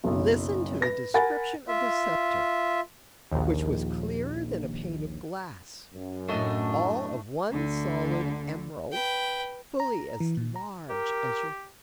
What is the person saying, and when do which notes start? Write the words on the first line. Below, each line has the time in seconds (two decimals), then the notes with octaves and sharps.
Listen to the description of the sceptre, which was clearer than a pane of glass, all of one solid emerald, fully as large as your fist.
0.04 F#1 B1
0.81 B4 A#6
1.14 A#4 F#5 G#5 B5 A6
1.68 F4 E5
3.32 A#1 D#2
5.93 F#2
6.29 A2 A3 D4 D#5
7.51 D2 D3
8.92 B4 G5
9.80 A#5
10.20 E3
10.37 A#2
10.56 A#5
10.90 G4 A#4